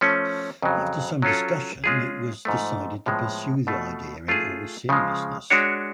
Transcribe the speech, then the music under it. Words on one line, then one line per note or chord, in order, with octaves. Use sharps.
After some discussion it was decided to pursue the idea in all seriousness.
F3 A3 C#4
F2 C#3 F#3
F#3 C#4 F4 A4
G#3 C#4 F4 G#4
G#2 F3 A3
A2 F3 G#3 B3
B2 A3 F4
A3 F4 G#4
C#3 F3 G#3
G#3 D4 F#4 C#5